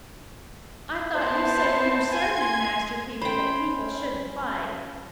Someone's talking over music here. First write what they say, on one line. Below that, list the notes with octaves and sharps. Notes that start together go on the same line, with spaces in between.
"I thought you said in your sermon, Master Peter, that people shouldn't fight."
B3 E4 C5 A5
G#5 C6 G#6
C#4 C5 G5 B5